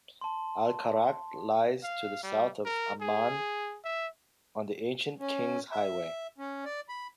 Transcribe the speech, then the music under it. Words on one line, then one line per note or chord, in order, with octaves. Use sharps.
Al-Karak lies to the south of Amman on the ancient King's Highway.
A5 C6
F5
G3
A#4
G#4
E5
C#4
E5
C#4
D5
B5